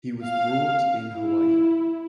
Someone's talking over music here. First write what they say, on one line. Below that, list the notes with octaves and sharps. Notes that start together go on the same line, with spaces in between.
He was brought in Hawaii.
F5
E4